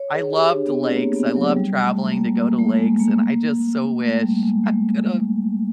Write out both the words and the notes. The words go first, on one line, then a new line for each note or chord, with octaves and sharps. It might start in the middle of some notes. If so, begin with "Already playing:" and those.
I loved lakes, I loved traveling to go to lakes, and I just so wish I could have
Already playing: C#5
G#4
G4
D4
B3
C4
A3
A#3
B3
F#3
G3
A3
A#3
A#3
A3
G#3
A#3
A3
G3
G#3
A3